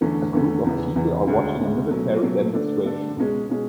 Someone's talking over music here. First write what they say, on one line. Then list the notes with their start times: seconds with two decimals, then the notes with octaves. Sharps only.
A group of people are watching a military demonstration.
0.01 E2 D3 A3 C#4
0.33 E2 D3 A3 C#4
0.64 E2 C#3 E3
0.95 E2 C#3 E3
1.27 D2 C#3 G#3
1.59 D2 C#3 G#3
1.91 B2 F#3 A3 C#4
2.22 B2 F#3 A3 C#4
2.53 D3 A3 D4 A4
2.85 D3 A3 D4 A4
3.17 C#2 B2 G#3 C#4 G#4
3.49 B2 G#3 C#4 G#4